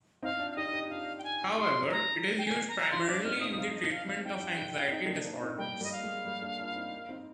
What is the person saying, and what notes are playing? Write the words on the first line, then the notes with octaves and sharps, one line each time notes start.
However, it is used primarily in the treatment of anxiety disorders.
C4 D#4 F5
D4 F4
F5
D#4 G4 D#5
D#4 G4
D4 F4 F5
G5
G#5
D#4 G4 C6
A#5
G5
G#5
A#5
A#5
D4 F4 C6
D4 F4 D6
C4 D#4 F6
C4 D#4 D#6
C4 D#4 F5
D#5
F5
F5
D4
C4 D#4 G5
G4
D4 F4
D#4 G4
D4 F4
C4 D#4
A#3 D4
A#3 D4
C4 D#4
G3 A#3 G5
G3 A#3
D#5
F5
G#3
G3 A#3
A#3 D4
D4 F4
C4 D#4
C4 D#4